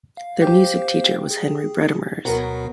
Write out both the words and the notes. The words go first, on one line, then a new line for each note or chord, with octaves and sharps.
Their music teacher was Henry Bredemers.
F5
G4 C5 F5
G#4
D2 B2 F#3 B3 A#4